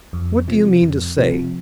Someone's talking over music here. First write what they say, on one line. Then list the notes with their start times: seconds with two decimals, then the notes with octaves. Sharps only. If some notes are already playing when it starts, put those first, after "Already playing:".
"What do you mean to say?"
0.13 F2
0.48 C3 F3
0.82 F2
1.17 C3 F3